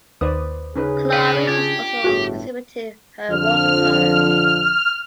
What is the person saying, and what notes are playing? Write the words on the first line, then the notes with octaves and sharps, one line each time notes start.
Klawe has also exhibited her watercolors.
D#2 B4 C5 D5 D#6
C#3 C#4 D#4 G#4 B4
B2 B4 C#5 D5 F5
D4 F4 G4 G#6 A6
G1 A2 F#4 G#4
F2 D3 F3 F6